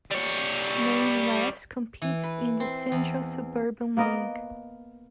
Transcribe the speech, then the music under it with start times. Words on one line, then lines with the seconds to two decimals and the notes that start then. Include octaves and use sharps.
Maine West competes in the Central Suburban League.
0.11 G3 C#5
2.02 E3
2.23 B4
2.60 C4
2.92 E2
3.97 A#3 B3 A#4 D#5